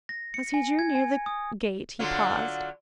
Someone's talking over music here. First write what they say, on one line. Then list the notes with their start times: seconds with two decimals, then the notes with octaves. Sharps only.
As he drew near the gate he paused.
0.09 A#6
0.34 C#7
0.54 G#5
0.79 G#6
0.95 G#5
1.26 D#6
1.99 D3 F#3 F4